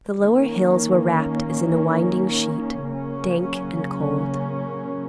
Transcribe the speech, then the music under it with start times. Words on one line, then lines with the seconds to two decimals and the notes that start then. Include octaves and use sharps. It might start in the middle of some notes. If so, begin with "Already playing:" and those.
The lower hills were wrapped as in a winding sheet; dank and cold.
0.19 D#3 A#3 C#4
2.87 C#3 F#3 A#3 C#4